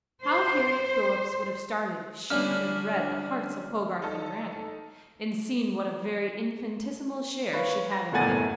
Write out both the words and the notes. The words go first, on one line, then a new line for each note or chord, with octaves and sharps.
How Harriett Phillips would have started if she could have read the hearts of Hogarth and Brandon, and seen what a very infinitesimal share she had in either.
C5
D3 G3 C#4 D4 E4 F6
D#4 A4
B4 C#5 F5
A#6
F#1 E2 A2 F#5 G#5 A6